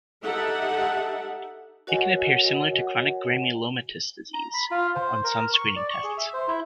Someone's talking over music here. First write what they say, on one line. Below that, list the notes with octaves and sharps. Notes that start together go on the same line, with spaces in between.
It can appear similar to chronic granulomatous disease on some screening tests.
D#4 G4 A4 E5 F#5
F#4 A#4 C#5 D#5 F#5 G#5
A#5
B5
F4
C5
A#4
C#6
D5
C#6
G#4
E5
C5
E4